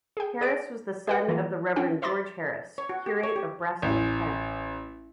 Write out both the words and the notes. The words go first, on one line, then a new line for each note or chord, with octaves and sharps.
Harris was the son of the Reverend George Harris, curate of Brasted, Kent.
G#4 G5
G#4 D5 F#5 D7
G4 B4 F#5
E3 F3 A#3 E4 F4
C#4 D4 F4 F#5 G5
C5 E5 B5 C6 D6 A6
C#5
F#4
G4
C#5
G4
A1